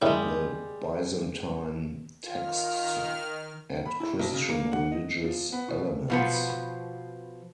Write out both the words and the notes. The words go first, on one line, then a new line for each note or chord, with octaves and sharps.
The Byzantine texts add Christian religious elements.
F#2 C#3 G3 G#3 E4
D#3 F4 F6
B5
E4
B1
C#3
A#3
F#5
D#5
F3
B3
B2
B2 F3 B3